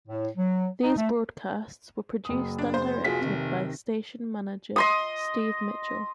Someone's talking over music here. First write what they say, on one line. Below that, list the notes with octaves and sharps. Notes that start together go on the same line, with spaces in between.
These broadcasts were produced and directed by station manager Steve Mitchell.
A2
F#3
D#4
A3
F#1 D#6
D4
C5
F1 F4 F#4 G#4 B6
C3 D#3
D#5 C6 D#6